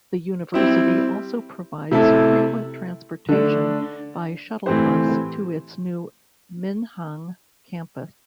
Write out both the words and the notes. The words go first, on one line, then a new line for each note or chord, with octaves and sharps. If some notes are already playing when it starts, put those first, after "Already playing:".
The University also provides frequent transportation by shuttle bus to its new Minhang Campus.
G3 C4 E4
C3 A3 E4 A4 E5
D3 A3 D4
A2 E3 C4 G4 C5